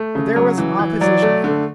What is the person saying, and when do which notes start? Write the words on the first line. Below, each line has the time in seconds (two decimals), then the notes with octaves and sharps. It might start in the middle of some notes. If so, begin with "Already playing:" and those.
But there was an opposition here.
Already playing: A3
0.15 C#3
0.36 F#3
0.58 E3
0.79 E3
1.01 F#3 D5
1.22 A3
1.44 D3